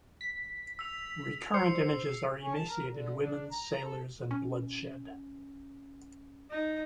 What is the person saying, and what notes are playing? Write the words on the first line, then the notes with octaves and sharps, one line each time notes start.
Recurrent images are emaciated women, sailors and bloodshed.
B6
E6 F7
C5 C7 C#7
C#4
A5
A#4
D3
D4
A#5
A4
C#4
D#4